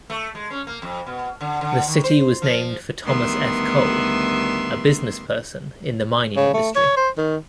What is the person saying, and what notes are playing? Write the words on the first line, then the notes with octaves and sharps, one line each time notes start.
The city was named for Thomas F. Cole, a businessperson in the mining industry.
A3
G#3
C#4
A#3
F2
B2
D3
D3
D#3
C5
F3
D2 D#3 G3 B3 E5 C6
C#3
A3
C#5
C5
D#3